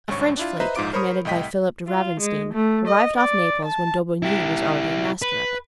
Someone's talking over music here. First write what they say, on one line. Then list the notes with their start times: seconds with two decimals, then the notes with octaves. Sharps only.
A French fleet, commanded by Philip de Ravenstein, arrived off Naples when D'Aubigny was already master of it.
0.08 G#1 C#2 G2 C#5 C#6
0.37 D4 E4 F4
0.60 B4 C5 D#5 E5 A#5
0.76 A#1 G#2 D#4 F4 D6 D7
0.93 A#4 C5 C#5 B5 C#6 D#6
1.25 C2 A2 D#5 G5 B6
1.87 F4
2.20 G#3
2.53 A3
2.87 D#5
3.16 D5
3.65 A5
4.23 E4 G4
5.22 B4